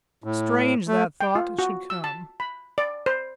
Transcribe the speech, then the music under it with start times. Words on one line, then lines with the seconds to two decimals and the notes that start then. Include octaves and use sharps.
Strange that thought should come!
0.24 A2
0.88 A3
1.21 G5
1.35 F4
1.59 F#4
1.90 E6
2.04 A5
2.40 B5
2.78 D5
3.06 C5